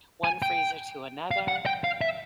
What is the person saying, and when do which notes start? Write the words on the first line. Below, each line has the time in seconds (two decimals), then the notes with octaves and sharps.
one freezer to another?
0.24 G#5
0.42 G5
1.31 F5
1.48 F#5
1.66 G5
1.84 F5
2.01 E5